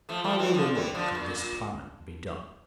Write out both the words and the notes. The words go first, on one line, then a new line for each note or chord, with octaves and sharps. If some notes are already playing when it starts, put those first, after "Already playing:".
How will the work of this planet be done?
F3 A3
F3 A3
E3 G3
D3 F3
E3 G3
D3 F3
A#2